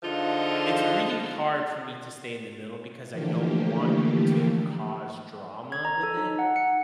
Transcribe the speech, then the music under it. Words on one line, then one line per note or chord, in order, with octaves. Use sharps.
it's really hard for me to stay in the middle because I don't want to cause drama with it?
D3 F3 G#3 D#4 F4
D3 E3 F3 A3 A#3 G4
G#6
A#5
A4
D#4
F#5
C#7